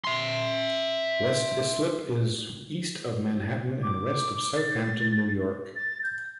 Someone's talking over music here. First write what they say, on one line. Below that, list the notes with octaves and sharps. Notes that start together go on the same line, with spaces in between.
West Islip is east of Manhattan and west of Southampton, New York.
E5 C6
D6
A6
A6
G6